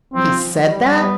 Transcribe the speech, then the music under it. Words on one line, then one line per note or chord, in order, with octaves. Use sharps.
"He said that?"
F3 C4
G3
B3